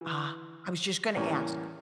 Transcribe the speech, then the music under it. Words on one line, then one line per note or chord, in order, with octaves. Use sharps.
Ah, I was just gonna ask.
E3
E2 A2 G3 A#3 C#4